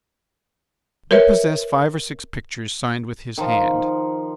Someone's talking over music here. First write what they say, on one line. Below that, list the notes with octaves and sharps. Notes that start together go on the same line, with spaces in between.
We possess five or six pictures signed with his hand.
A#4 B4 C#5 E5
D#3 F3